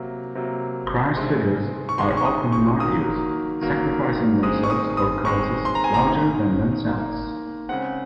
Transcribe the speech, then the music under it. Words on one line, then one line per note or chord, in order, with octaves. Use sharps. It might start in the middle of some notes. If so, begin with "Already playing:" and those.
Christ figures are often martyrs, sacrificing themselves for causes larger than themselves.
Already playing: C3 F#3 A#3
C3 F#3 A#3
C3 D#3 G#3 C6
C#6
C3 D#3 G#3 C6
C#6
D#6
C#6
D#3 F#3 A#3 D#6
D#3 F#3 A#3
D#3 G#3 C4 D#6
C#6
D#6
D#6
D#3 G#3 C4 C#6
C6
A#5
G#5
A#5
D#3 A#3
D#3 A#3
C#3 G#3 C4 F#5